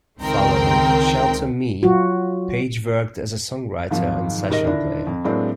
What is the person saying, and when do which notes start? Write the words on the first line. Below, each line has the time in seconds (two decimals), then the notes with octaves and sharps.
Following "Shelter me", Page worked as a songwriter and session player.
0.21 C#2 D#3 C4 A#4 G5
1.83 F#3 F4 F#4
3.90 G#1 G#2 D#3 F3 F#3
4.49 D#1 G#2 A#4 D#5 A#6
4.66 D3 D#3 D4 E4
5.07 F2
5.24 A2 F#3 G#3 A#3 C4 D4